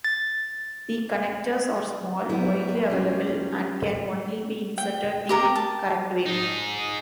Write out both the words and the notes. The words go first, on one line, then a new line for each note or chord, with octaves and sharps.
The connectors are small, widely available, and can only be inserted the "correct way".
A6
G#2 F#3 G3 B3 E4
G3 C#4 F4
G5
G4 A#4 A#5
A5
D#4 G#4